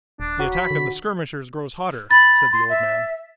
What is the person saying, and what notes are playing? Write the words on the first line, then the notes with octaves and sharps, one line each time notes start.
"The attack of the skirmishers grows hotter," said the old man.
D#1 D4
F#3
B5
D3
B5 A6
C6
E5